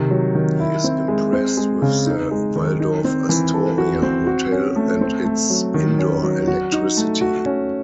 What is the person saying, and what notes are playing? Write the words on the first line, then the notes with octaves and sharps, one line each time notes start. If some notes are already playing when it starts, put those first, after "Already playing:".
He is impressed with the Waldorf-Astoria hotel and its indoor electricity.
Already playing: C3 D#3
F#3
D#3
E4
C4
G#3
C4
G#3
C#3
D#4
G#3
D#3
D#4
C4
E3
A4
F#4
C4
F#4
C#4
A3
C4
A3
F#3
D#3
C#4
F#3
F#4
D#4
A3
F#4
C#4